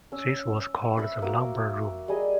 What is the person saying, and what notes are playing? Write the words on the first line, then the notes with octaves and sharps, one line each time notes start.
This was called the lumber room.
C#4 E6
E5 B5 C#6 E6
A#3 F#4 D6
G3 G#4 D#5